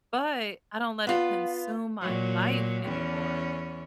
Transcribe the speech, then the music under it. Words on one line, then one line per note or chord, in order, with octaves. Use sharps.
but, I don't let it consume my life anymore
B3 F4
A#2 F#3
E2 C#4